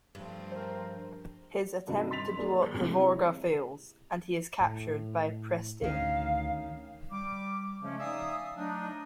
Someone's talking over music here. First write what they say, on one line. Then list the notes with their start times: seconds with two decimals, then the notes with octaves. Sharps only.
His attempt to blow up the "Vorga" fails, and he is captured by Presteign.
0.15 G2 F3 A3 C4
0.52 A#4 C5
1.88 G2 C3 D#3 F#3 G3 D#4
2.11 C6 A6 B6 F7
2.38 A#3 D4 G#4
2.81 C3 G#3 C4 E4
4.61 A2
5.82 D2 D#3 C#4 F5
7.11 G3 D6
7.81 C#3 F3 G#3 A3 C#4
7.99 D#4 D5 E5 F5 G#5 D#6
8.56 F#3 A3 D4 D#4